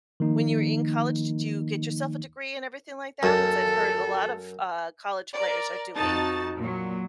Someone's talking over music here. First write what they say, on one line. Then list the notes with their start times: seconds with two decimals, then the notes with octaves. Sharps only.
when you were in college, did you get yourself a degree and everything like that, as I've heard a lot of, uh, college players are doing.
0.20 D#3 F3 A#3 D#4
3.23 F#2 A4
5.34 A#4 D5
5.96 F2 D#4 F#4 A5 A6
6.57 A#2 F#3